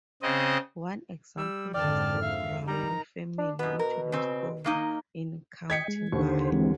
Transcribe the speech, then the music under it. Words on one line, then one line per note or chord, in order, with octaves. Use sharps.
One example was the Browne family which lost over in County Mayo.
C#3 C4 D#5
G3 E6
F2 G#2 D3 D5 G5 A5 F6
E5 F5
G3 D#4 A#4 A#5
D4
F#2 B2 B3
A#4
C#3 C4
D#3 A#3 D#4
D#5 G5 G#6 B6 C#7
G#3
D#2 D3 C5 C#6
C5
E3 G#3 C4